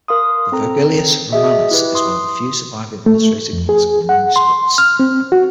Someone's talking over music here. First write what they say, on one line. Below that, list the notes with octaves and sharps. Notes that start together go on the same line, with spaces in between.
The Vergilius Romanus is one of the few surviving illustrated classical manuscripts.
A#4 F5 C6 D#6
C4 A4 A#5
F#4 G#4 D#5 E5
E4 G4 B4
C6 D#6
A3
F2
G#4
F#5
C6
F6
C4
F#4